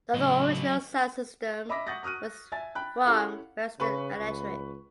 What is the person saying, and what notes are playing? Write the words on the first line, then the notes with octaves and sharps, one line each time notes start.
The other original sound system was from Western Electric.
A2 C#3 F#3 D#5
D#5 E5 B5 D6 A#6 B6
F#5 C#6 D#6 G6 A6 A#6
C#6 D#6 F6 F#6 D#7
E5 G#5 A6
G5 B5 F#6
C#4 E4 G4 A4 F5 F#5
C#3 B4 C#6
C#2